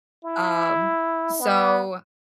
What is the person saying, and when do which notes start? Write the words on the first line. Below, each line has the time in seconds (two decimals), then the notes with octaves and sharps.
Um, so,
0.24 E4
1.41 B3